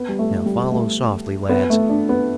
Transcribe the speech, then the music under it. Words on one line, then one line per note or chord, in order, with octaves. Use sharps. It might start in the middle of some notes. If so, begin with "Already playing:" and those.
Now follow softly, lads!
Already playing: B3
G3
A3
G3
A3
B3
A3
D4
B3